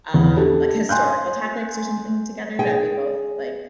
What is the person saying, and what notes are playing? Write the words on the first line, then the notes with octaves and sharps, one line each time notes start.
um, like historical topics, or something, together that we both like.
E2
D4 G4 A4
G#5 C6 F#6 G6
G#4 G5